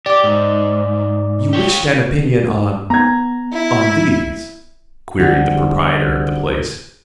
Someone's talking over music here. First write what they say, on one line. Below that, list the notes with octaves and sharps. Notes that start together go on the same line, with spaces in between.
"You wished an opinion on--on these?" queried the proprietor of the place.
G4 D5 D6
G#2
G4 C#5
B3 A#5 G#6
E4
D3 F3 G3